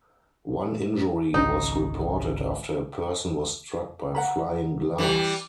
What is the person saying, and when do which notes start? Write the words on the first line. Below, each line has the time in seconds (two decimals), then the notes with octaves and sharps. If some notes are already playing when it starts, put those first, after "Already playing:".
One injury was reported after a person was struck by flying glass.
1.34 G#1 C#2 D#4
4.15 F#5 A#5 B5
4.98 E3 G3